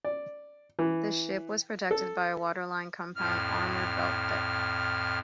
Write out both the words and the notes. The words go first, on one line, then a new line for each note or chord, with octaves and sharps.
The ship was protected by a waterline compound armour belt thick.
D5
E3
A4
F2 A2 F6